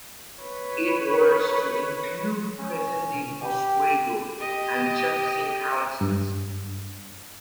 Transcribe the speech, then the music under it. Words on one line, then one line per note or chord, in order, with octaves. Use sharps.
It was to include present day Oswego and Jefferson Counties.
B4 C#5
C#4
G4
G4 D#5
G2